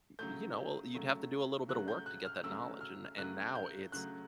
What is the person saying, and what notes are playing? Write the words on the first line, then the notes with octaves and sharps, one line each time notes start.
m you know, well, you'd have to do a little bit of work to get that knowledge and and now it's
C#3 F#3 A3 G6
C#3 F#3 A3
C#3 F#3 A3 F#6
G6
F#6
F6
C#3 F#3 A3 E6
F6
C#3 F#3 A3 F#6
G6
C#3 F#3 A3 F#6